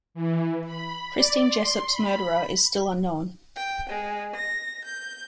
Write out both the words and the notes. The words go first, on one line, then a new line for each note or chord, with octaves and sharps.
Christine Jessop's murderer is still unknown.
E3
B5
D5
C6
B5
G5
G#3
A#6
G6